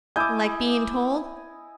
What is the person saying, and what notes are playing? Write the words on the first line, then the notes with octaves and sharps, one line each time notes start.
"Like being told?"
E4 D#5 G#5 D6 E6 G6